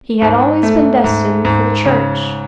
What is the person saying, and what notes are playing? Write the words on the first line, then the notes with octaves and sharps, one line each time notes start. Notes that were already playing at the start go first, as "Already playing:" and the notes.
He had always been destined for the church.
G#2
A3
G#2
G#2
C#3